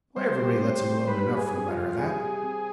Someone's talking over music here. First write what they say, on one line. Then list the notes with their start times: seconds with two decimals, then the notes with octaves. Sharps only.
'Why everybody lets him alone enough, for the matter of that.
0.16 G3 C5
0.39 G4
0.61 C4
0.84 C3
1.07 G3 B4
1.31 G4
1.37 G#4
1.54 C4
1.68 F4
1.76 C3
1.98 G3 G#4
2.21 G4
2.44 C4